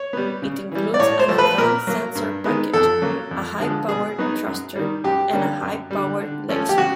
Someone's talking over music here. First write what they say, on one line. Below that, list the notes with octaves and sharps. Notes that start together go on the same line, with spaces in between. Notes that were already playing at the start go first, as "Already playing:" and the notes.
It includes an advanced sensor package, a high-powered thruster, and a high-powered laser.
Already playing: C#5
G3 B3
C#3
E3 G3
D5
A2 C#5
C5
F3 A3
B4
A#2 A#4
F#3 A#3
G2
D#3 G#3 B3
F2 A4
C#3 F#3 A#3
F2
D3 F3 G#3
B2 G#4
F#3 B3 D#4
F#2
D#3 G3
F#2 G4
D3 G3 A#3 C#4
F#2
G3
D3
D3
F3 A3 C#4
G4
C#3 F#4